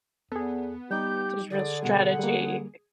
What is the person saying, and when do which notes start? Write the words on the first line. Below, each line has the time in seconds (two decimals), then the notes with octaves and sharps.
There's real strategy,
0.32 E2 B3 G#4 A4
0.91 G3 D#4 G4 G6
1.50 D3 G#4 D5
1.83 B2 G3 F#5
2.19 G3 A#3